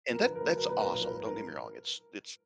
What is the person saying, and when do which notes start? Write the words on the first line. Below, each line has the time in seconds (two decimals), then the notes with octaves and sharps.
And that that's awesome. Don't get me wrong. It's it's,
0.12 F3 A#4
0.24 D3 B4
0.35 A#4
0.41 D2
0.46 B4
0.55 F#3 A#4
0.69 A#2 B4
0.80 B1 A#4
0.91 B4
0.98 F3 A#4
1.12 G#2 B4
1.25 A#4